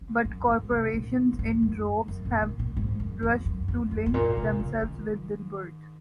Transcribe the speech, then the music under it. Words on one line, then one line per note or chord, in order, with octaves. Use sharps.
But corporations in droves have rushed to link themselves with "Dilbert".
C#3
F#2
G#2
C3
A#2
F#2
G#2
F#2
F#2
A#2
A#2
A#2
G#2
F#2
F2
F#2
F2
F#2
G#2
A#2
C3
C#3
D#3